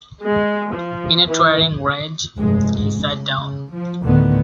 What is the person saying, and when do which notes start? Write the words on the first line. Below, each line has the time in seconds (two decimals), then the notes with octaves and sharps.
In a towering rage, he sat down.
0.22 G#3
0.71 F3
1.27 E3
2.37 F1 G2 G#3
2.74 G#2 G#3
3.04 C#3
3.71 F3
4.02 D2 A2 D3 D#3 B3